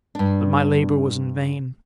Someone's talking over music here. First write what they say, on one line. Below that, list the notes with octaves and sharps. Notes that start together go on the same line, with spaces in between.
But my labor was in vain.
G2 D4